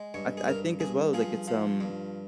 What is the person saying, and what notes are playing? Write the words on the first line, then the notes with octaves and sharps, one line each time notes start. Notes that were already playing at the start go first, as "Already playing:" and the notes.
I I think as well, like, it's, um
Already playing: G#3
G2 C#5
G#4
G2 A#4
G2 G#4
F3 G#4
F3
G2